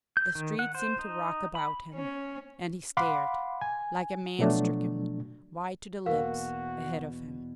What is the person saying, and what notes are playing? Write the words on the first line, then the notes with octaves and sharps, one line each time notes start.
The street seemed to rock about him--and he stared, like a man stricken, white to the lips, ahead of him.
G6
D#3
F#5
C5
D#4
B5
C#4
F5 F#5 B5 C6 D6
G#5
B2 F3 F#3 A3 D4
E2 B2 A#3 F#4 A#4 F5